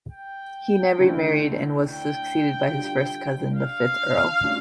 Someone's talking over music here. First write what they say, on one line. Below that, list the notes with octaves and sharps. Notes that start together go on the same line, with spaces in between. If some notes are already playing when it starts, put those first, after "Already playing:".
He never married and was succeeded by his first cousin, the fifth Earl.
G5
D2 D3 A3 C#4 E4
G5
D3 G3 D4 F4
F5
D3 A3 C#4 F4